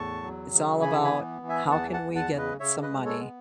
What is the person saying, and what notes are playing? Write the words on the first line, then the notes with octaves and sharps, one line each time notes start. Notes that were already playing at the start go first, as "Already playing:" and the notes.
it's all about how can we get some money,
Already playing: E2 A2 A5 C#6
F#3
C#3
E3 G#5 B5
G#5 B5
B3
E3
E5 G#5
E2 F#5 A5
F#5 A5
E2
F#5 A5
C#3
B4 D#5
C#3 C#5 E5
B4 D#5
G#3
A4 C#5
B3